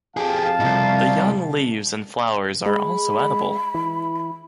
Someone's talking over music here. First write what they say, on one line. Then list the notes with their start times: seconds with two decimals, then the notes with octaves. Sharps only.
The young leaves and flowers are also edible.
0.17 F2 G4 G#4 F5 A5
0.60 C2 G#2
2.66 G#3 B5
3.74 E3